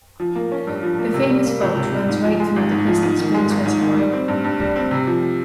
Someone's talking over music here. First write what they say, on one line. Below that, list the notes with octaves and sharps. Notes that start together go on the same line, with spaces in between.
The famous fault runs right through the Crystal Springs Reservoir.
F3
A#3
C#4
G2
F3
A#3
C3
G3
A#3
C#2
C3
G3
G#2
F3
G#3
G#1
G#2
F3
G#2
D#3
G#3
G#1
G#2
D#3
G3
C4
G2
G2
G3
C4
C3
F3